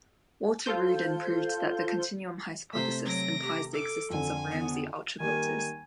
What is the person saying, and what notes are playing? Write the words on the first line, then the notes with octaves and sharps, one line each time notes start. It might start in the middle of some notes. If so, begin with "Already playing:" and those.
Walter Rudin proved that the continuum hypothesis implies the existence of Ramsey ultrafilters.
F4 A4 C5 G6
C3 A3 C5 B6
F#3 A#6 D7
G4
A4 D6
F2 D3 G#5
B3
D#3 G3 A#3 G#5